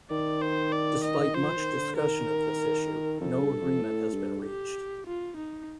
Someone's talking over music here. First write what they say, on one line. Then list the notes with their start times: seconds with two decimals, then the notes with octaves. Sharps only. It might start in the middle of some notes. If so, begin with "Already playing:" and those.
Despite much discussion of this issue, no agreement has been reached.
0.10 D#3 D5
0.42 C5
0.72 D5
1.04 D#5
1.35 F3 C5
1.56 D#3
1.76 D3
1.96 D#3 A#4
3.20 F2 A4
3.41 G2
3.61 F2
3.82 A2
4.14 G2
4.44 G4
5.06 F4
5.36 D#4